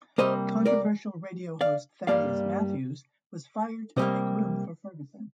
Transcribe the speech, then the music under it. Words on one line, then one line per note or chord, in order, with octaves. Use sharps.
Controversial radio host Thaddeus Matthews was fired to make room for Ferguson.
C3 G3 A#3 C5 D#5
A#4 D5
D5 F5
G2 D#3 G3 A#3 D5 F5
C3 G3 A#3 C5 D#5